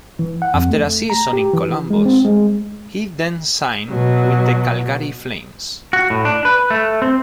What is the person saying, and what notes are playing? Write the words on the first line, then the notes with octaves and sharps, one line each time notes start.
After a season in Columbus, he then signed with the Calgary Flames.
E3
F#5
F2
A3
A#5
G4
E3
G#3
C4
G#3
B2 F#3
F#4
A2
D4
B4
A3
C4